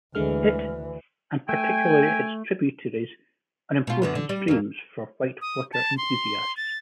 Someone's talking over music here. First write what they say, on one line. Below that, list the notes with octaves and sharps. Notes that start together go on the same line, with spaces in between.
It, and particularly its tributaries, are important streams for whitewater enthusiasts.
D2 D3 E3 G#3 F6
A3 G5 G#5
B2 F4
F#2 D3 B3
D3
G3
F2 A#3
D#6
A5
C6
A6